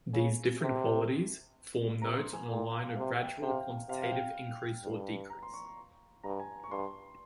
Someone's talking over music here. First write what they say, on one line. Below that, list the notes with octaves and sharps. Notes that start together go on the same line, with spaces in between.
These different Qualities form "Nodes" on a line of gradual Quantitative increase or decrease.
C#3 G#5
C3
C3 A#5
C6
G#5
A#2 G5
F5
F5
C3 E5
G5
C3 G5
F5
G5
C3 F5
F5
G5
G2
A#5
C6
C#6
C#6
G2 A#5
G#5
C#6
G2 C6